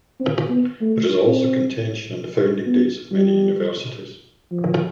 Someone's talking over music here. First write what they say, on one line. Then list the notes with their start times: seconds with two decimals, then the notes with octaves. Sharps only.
There is also contention on the founding dates of many universities.
0.20 C4
0.50 B3
0.81 A3
1.27 C4
2.66 B3
3.12 G3
4.51 F3